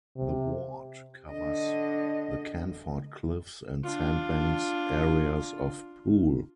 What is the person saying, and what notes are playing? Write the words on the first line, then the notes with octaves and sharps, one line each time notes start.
The ward covers the Canford Cliffs and Sandbanks areas of Poole.
C3
D3 D#5
D4 F4